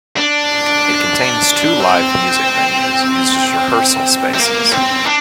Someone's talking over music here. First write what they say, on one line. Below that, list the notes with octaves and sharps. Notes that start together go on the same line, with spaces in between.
It contains two live music venues used as rehearsal spaces.
D4
C4
C4
A#3
C4
D4